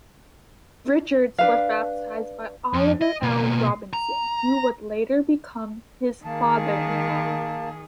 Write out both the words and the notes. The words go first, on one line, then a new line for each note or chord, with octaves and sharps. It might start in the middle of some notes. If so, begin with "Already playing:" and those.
Richards was baptized by Oliver L. Robinson, who would later become his father-in-law.
D4 B4 F5
F2
D#5
B2 A#3
A#5
D#3 A#3 G#4 A5